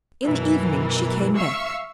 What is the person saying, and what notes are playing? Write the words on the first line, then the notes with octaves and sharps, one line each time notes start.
In the evening she came back.
F#2 B2 E3 A#4
E5 F5 C#6 E6